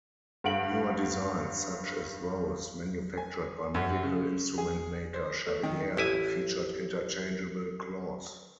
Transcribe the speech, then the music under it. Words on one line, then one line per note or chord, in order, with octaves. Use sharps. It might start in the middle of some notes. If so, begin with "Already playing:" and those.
Newer designs, such as those manufactured by medical instrument maker Charriere featured interchangeable claws.
G2 F#5 D7 F#7
G#5
F#2
C#3
G#4
C5
A3
D#3
A1 E4 G#5